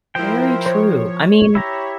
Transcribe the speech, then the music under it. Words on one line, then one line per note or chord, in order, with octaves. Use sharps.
Very true. I mean
F3 E4 A#4 C5 G5
C5 C#5
E4 G4 A#5